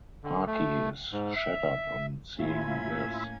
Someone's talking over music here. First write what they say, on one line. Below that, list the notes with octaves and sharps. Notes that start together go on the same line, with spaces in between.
Pakhi is shattered on seeing this.
D3
A3
G#2
E5
A2 A#3 C#4 E4 F4 E5 G#6